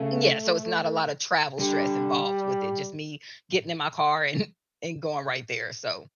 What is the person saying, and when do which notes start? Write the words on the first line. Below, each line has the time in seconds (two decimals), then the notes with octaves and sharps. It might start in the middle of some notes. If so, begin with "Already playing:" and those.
Yeah, so it's not a lot of travel stress involved with it. Just me getting in my car and and going right there. So,
Already playing: C#3 A3
1.60 D3 G3